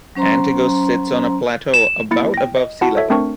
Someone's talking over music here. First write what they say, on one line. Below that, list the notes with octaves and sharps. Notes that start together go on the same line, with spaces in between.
Antigo sits on a plateau about above sea level.
F#3 C#4 C5 A#5 C6
E7
A#3 E4 A6 C#7
G5 A#6
D#5
E4 F#4 F#5 A5
A4 C#5 E5
A3 C4 D4 A#4 C#6